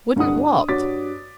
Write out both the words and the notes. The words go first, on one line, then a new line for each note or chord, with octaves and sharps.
"Wouldn't what?"
C2 G2 D3 F#5 D#6
D4
G2 F#4 C#5 D6 A6 B6